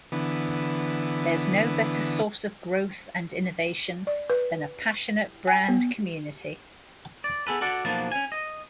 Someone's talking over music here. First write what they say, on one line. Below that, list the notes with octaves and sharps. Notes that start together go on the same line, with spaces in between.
There's no better source of growth and innovation than a passionate brand community.
D3 E3 B3
D5
B4
G#5
B3
D5
B3 G#4 A4 B4
F#4 A4 D5 F#5
B1 F3 A#3 B3 D4 A5
C#4 G#5
D#5